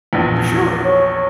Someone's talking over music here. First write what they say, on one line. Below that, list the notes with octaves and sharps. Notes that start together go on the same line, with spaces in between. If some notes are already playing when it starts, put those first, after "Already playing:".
For sure!
A#1 E2
C#5